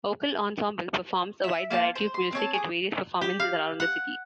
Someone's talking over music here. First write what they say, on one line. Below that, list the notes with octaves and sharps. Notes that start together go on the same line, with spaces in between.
Vocal Ensemble performs a wide variety of music at various performances around the city.
E5
A#3 F4 G5 A5
C5
C6
C4 C#5 A5
G#4 D6
G4
F5
F#5